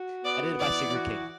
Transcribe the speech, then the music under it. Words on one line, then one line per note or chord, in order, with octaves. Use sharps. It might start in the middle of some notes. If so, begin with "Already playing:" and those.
Edited by Sigrid King.
Already playing: F#4
B3 D5
E3 D5
F#4